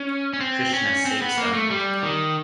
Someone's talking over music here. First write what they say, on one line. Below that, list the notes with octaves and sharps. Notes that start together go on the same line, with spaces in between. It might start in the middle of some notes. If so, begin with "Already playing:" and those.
Krishna saves them.
Already playing: C#4
C#4
C4
C#4
C4
B3
A#3
A3
G3
D#3